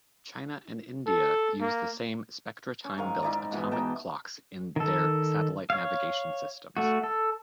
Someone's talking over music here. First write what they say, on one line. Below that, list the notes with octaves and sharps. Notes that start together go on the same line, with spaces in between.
China and India use the same SpectraTime-built atomic clocks in their satellite navigation systems.
A4
A#3
C#4
G#2 D#3 F5 G#5
D#4 E4 D5
G#2 B2 E3 B3
D#4 G#4 G5 A5
D#3 A4
C#5 F5
A3 F#4
A4